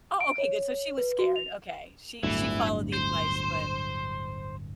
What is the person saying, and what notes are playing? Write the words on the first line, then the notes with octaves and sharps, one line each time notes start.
Oh, okay, good, so she was scared. Okay, she she followed the advice, but
D7
C#5
B4
F#4
F7
D1 G1 D2 E3
C5